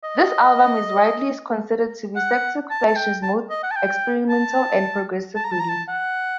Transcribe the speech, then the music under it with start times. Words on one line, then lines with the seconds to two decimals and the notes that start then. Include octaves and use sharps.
This album is widely considered to be Septic Flesh's most experimental and progressive release.
0.03 D#5
2.16 F#5
2.70 A5
2.86 A5
2.96 G5
3.23 A5
3.50 D#5
3.63 F#5
3.71 A5
3.76 G5
4.30 A5
5.35 A5
5.45 A#5
5.52 A5
5.60 A#5
5.69 A5
5.88 F#5